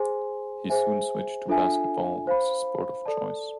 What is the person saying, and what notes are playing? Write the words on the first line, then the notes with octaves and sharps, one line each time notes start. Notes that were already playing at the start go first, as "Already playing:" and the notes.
He soon switched to basketball as his sport of choice.
Already playing: G#4 C5 G#5 C6
G#4 C5 E5 G#5
D4 F4 A4 E5 G#5
C5 F5 B5
A4 D5 A5